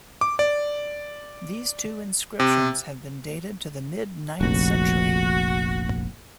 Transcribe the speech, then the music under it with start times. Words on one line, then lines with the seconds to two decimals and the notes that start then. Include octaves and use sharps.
These two inscriptions have been dated to the mid ninth century.
0.21 D6
0.39 D5
2.40 C3
4.41 F1 A#1 F#4